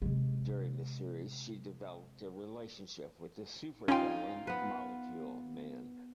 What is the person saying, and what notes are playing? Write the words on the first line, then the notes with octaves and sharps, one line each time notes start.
During the series, she developed a relationship with the supervillain Molecule Man.
C3 G#3
C#4 D#4 F4 G5 C6
B3 B4